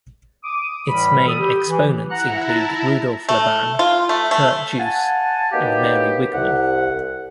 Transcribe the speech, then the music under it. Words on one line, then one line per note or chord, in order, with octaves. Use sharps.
Its main exponents include Rudolf Laban, Kurt Jooss, and Mary Wigman.
D6 D#6
A2 E3 G3 B5
A4 D#6
G4
E3
E4 F#5 A#5 F#6
A5 A#5
A3
F4
A3
A3
F5 F#5 G#5 A5
F#3 A#3 B3 D#4 G4
C2 F#5